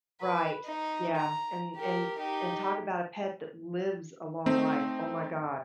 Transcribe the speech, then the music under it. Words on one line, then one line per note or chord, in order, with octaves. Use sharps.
Right, yeah, and and and talk about a pet that lives a long life, oh my god,
B4
D#4
A#5
G4 A#4
D#4 G4
A3 C4 D#4